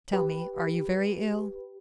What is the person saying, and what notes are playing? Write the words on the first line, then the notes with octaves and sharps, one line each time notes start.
"Tell me, are you very ill?"
G4 B4